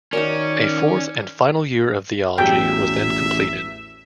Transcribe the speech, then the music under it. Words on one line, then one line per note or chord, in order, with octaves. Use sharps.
A fourth and final year of theology was then completed.
D#3 C#4 D#4 F#4 A#4 D5
A1 E2 F#3 G3 E5 G5